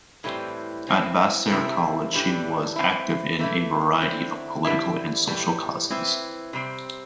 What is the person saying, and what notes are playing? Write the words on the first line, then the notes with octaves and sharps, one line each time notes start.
At Vassar College, she was active in a variety of political and social causes.
A2 E3 G3 C4
E3 C4 E4
C3 A3 C4 E4
A2 E3 G3 D4
E3 C4 E4
E3 A3 E4
D3 C4 E4
D3 G3 C4 E4
A2 E3 G3
E3 C4 E4
C3 G3 C4